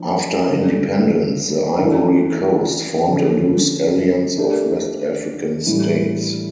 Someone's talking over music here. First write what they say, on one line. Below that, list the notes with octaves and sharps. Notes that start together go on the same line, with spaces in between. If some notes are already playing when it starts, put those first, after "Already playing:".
After independence, the Ivory Coast formed a loose alliance of West African states.
Already playing: F3 A3 D4
D3 G3 D4
E3 A3 D4
D3 F3 C#4
A3 D4 G4 A#4
A2 E3 G3 D4